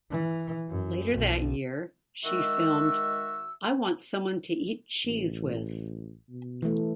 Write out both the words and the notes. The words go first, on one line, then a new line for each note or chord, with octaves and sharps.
Later that same year, she filmed "I Want Someone to Eat Cheese With".
E3
F#2
B1
D#3 G#3 F#4 E5 E6
A1
B2
E3 A3